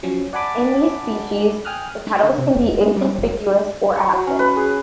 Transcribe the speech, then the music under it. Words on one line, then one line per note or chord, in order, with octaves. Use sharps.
In these species, the petals can be inconspicuous or absent.
F3 F#3 C#4
D5 F#5 G#5 A5 B5 D6
G5 G#5 D#6 F6 F#6
D3
C3
E1
G#3
G3
F#1
C#6
F#3
C#4
B4
G#4